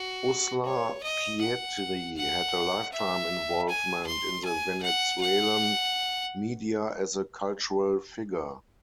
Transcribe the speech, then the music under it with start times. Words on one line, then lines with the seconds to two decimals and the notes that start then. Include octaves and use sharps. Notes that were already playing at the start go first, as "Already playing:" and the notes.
Uslar Pietri had a lifetime involvement in the Venezuelan media as a cultural figure.
Already playing: F#4
0.65 C#5
1.03 D#5
1.41 F#5
2.17 F#5
2.93 E5
3.69 G#5
4.07 C6
4.45 G#5
4.83 F#5
5.21 F#5